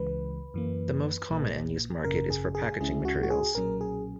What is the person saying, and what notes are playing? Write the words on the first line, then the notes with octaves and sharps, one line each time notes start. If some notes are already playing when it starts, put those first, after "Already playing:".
The most common end use market is for packaging materials.
Already playing: C#2 C#3 E3 G#3 B4
F#2 E3 A#3
A#1 A#2 A#3
G#1 F#2 C#3 A#4
G#4
G#4
C#2 C#3 G#3 C#4 E4 G#4
F#4
F#4
G#4
B1 A#2 F#3 C#4 A#4
G#4